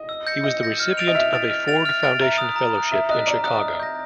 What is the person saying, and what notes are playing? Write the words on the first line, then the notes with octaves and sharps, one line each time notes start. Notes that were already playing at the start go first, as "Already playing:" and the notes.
He was the recipient of a Ford Foundation fellowship in Chicago.
Already playing: D#5
E6
G6 A#6 C#7
D#5 E6
G6 A#6 C#7
F6
A6 D7 F7
D#5
E5 F6
A6 D7 F7
F6
A6 D7 F7
F6
A6 D7 F7
E5 A#5
D#6 F#6
A#5
D#6 F#6
E5 A#5
D#5 D#6 F#6
D5 A#5
D#6 F#6
D#6
G6 A#6